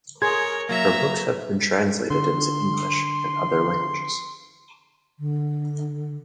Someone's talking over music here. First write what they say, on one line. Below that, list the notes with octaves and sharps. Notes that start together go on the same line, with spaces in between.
Her books have been translated into English and other languages.
G#4 A#4 C#5 C6 G#6
F#3 A#3 E5 A#5
B4
D3 C6
D3